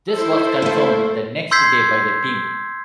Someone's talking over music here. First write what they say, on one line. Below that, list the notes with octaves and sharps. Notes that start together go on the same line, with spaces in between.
This was confirmed the next day by the team.
E4 A4 C5
A3 A#3
C6 E6 G6 G#6 B6 C7